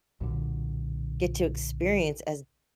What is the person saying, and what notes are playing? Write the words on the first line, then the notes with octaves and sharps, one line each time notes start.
get to experience as
B1 A#2 D3